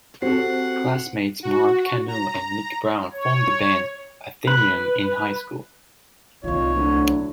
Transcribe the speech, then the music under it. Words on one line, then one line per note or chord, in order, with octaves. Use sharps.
Classmates Mark Kano and Nic Brown formed the band, Athenaeum, in highschool.
C4 F#4 G4 A4 F#5 C7
F#4
A#5
C#5
B4
C2 A#2 D#3 D#4 F4 C#5
D2 D3 F#3 E4